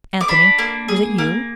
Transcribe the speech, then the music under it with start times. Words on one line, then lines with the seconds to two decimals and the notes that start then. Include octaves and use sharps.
"Anthony, was it you?"
0.21 D6
0.28 D4 B5
0.59 A#3
0.88 G#4
1.18 A#3